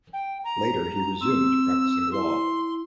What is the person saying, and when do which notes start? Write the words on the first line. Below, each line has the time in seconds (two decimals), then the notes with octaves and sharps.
Later he resumed practicing law.
0.13 G5
0.44 A#5
1.21 C4 E6
2.12 E4 C6